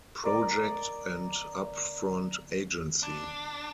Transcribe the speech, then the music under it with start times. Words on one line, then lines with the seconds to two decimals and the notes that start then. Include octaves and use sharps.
Project and Up-Front Agency.
0.24 A#4 D5 D#5
3.03 D4